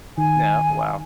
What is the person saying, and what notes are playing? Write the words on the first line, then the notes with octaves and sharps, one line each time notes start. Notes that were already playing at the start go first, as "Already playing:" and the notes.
Yeah, wow,
D#3 G#5